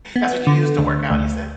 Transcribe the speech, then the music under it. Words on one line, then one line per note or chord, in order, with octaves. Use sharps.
That's what you use to work out, you said?
B3
D3
D2
D2